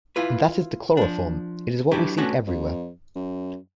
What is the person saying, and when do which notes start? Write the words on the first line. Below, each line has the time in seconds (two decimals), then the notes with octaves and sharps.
And that is the chloroform; it is what we see everywhere.
0.16 E4 F4 B4
0.97 F3 D4
1.91 F#3 D4 E4 G4 B4
2.17 A3 B3 C#4 D4 F#4
2.47 F2
3.16 F#2